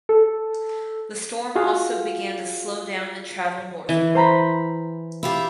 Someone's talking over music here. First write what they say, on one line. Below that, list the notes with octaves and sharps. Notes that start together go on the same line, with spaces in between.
The storm also began to slow down and travel northward.
A4
F4 F#4 G#4 F5
E3
C5 A#5 B5
E4 F4 G4